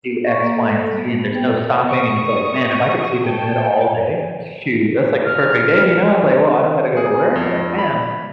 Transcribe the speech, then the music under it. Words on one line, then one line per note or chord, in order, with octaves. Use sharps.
do X, Y, and Z, and there's no stopping," and it's like, "Man, if I could sleep in bed all day, shoot, that's like the perfect day," you know? I was like, "Well, I don't gotta go to work." Like, man,
C#6
A#3
A4
A4
G3
A3
B3
G5
A4
C#6 D#6
A4 G5
F6
G#4
F2
B5